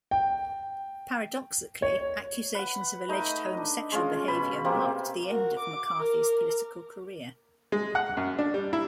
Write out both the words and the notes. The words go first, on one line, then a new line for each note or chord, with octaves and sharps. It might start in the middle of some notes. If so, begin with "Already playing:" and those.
Paradoxically, accusations of alleged homosexual behaviour marked the end of McCarthy's political career.
G5
C#5
B4 F#5
A3 D#4 D#5
D4
G#3 C#4 F4
B2 B5
C3 G#3 A#3 C4
F#4 A#4
D6
A#4
G#3
F#5
F#2
D4
G3
E4